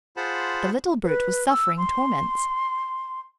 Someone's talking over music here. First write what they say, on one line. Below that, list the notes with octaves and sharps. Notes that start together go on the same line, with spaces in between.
The little brute was suffering torments.
F4 G#4 C5 F#5 A5 B5
B4
E6
C6